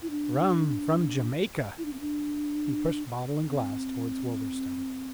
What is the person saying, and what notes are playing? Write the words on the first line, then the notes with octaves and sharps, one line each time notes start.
"Rum, from Jamaica." He pushed bottle and glass towards Wolverstone.
E4
D4
E4
D4
C4
D4
C4